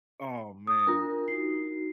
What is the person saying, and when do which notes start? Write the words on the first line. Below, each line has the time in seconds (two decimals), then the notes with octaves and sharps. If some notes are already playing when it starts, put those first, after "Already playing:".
Oh, man.
0.67 D#6
0.87 D4 F4 A#4
1.28 D#4 F#4 C7